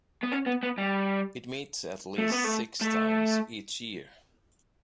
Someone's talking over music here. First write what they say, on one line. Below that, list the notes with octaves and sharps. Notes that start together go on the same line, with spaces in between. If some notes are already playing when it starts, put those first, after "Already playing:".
It meets at least six times each year.
B3
C#4
B3
B3
G3
A3
B3
A3
A3